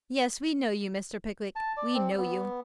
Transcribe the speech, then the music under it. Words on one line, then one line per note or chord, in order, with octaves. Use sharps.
Yes; we know you, Mr. Pickwick; we know you.'
A5
D5
C4
B3